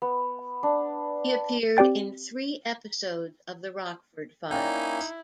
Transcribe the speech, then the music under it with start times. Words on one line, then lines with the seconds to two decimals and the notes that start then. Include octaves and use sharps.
He appeared in three episodes of "The Rockford Files".
0.02 B3
0.63 D4
1.77 C4 G4 D5 G5 A6
4.50 A#3 C#4 D#4 E4 D5 G5